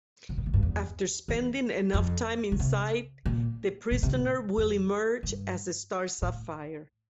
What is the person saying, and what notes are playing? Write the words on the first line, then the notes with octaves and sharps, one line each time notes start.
After spending enough time inside, the prisoner will emerge as a Star Sapphire.
C3
A#2
A2
G2
E2
E2
F2
D3
C3
A#2
A#2
C3
A#2
F2
G2
A2